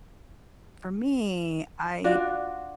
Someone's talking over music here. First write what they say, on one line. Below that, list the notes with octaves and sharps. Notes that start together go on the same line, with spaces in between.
for me, I
D4 F4 F#4 D5